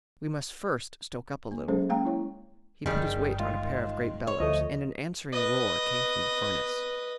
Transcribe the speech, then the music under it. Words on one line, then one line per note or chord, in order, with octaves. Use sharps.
"We must first stoke up a little." He put his weight on a pair of great bellows, and an answering roar came from the furnace.
A#3
F#3 G#3 C#4 G#4 A4 C5
G#3 A#3 C#4 F5 G5 A#5
E4 C#5
F#1 F2 D3 D#3 G3 G#4
G1
G#3 F4
C#5
D2 F3 A3 D#5
B4 D#5